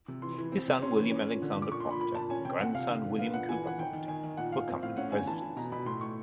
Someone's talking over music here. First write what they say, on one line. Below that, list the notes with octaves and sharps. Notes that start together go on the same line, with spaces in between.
His son William Alexander Procter and grandson William Cooper Procter were company presidents.
C3
E3 C6
E3
C4
C3
C#4 C6
E3
C#4
A#2
D3
D3
D6
A#2 C#6
C6
A#2 B5
A#2 B5
A#2 A5
C#4 G#5
C3 G5
C3 F#5
C3 F5
D3
D3
B3 F5
A#2 F#5
E3 G#5
E3 F#5
D#3 G5
D#3
D#3 G#5
D#3
A#2 F#5
A#2 F5
C4
A2 F5
C#4 F#5
D3 G#5
E3 A5
E3
B2 A#5
B2 B5
A2 C6
A2 C#6